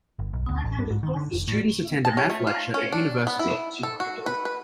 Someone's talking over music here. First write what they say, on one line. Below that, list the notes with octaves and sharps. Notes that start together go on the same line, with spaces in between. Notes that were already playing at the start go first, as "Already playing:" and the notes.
Students attend a math lecture at university.
G1
B1
D2
A1
G2
G#2
D#3
D3
F1
A2
A5
C#4
A3
F4
C#4
D4
B3
E4
A4
F#4
B4
B4